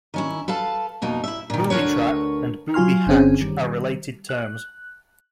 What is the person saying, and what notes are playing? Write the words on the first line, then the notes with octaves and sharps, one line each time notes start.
Booby trap and "booby hatch" are related terms.
D#3 C#4 E4
A4 B4 F5 A5
F2 B2 A#3 D#4
E4 E5
A#2 D#3
D2 A3 A#4 B4 C#5
F#3 F4 G#5 C6 F6
G1 D3 C4 C#4 G#4
D#3 G3
F#6